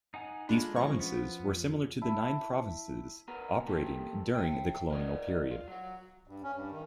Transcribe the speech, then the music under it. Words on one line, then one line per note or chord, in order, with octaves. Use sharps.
These provinces were similar to the nine provinces operating during the colonial period.
D#4 F#5 G#5
G#3 D4 F4 A4 B5
F3 C#4 C#6 D6
B3
F2
E4 A5
B2 B3 A#4
A#3 G4 A4
E5 G5
A#4 D5 D#5
F4
F#3 F#4
G2
C#4
G2
D#3